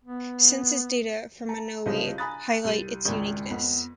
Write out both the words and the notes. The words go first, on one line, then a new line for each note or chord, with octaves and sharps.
Census data for Monowi highlight its uniqueness.
B3
A5 A#5
C2 C#3 F3 D#5
G#5 A#5 B5 D#6 F#6 A6
C2 D#7
G#1 C#2
F2 B3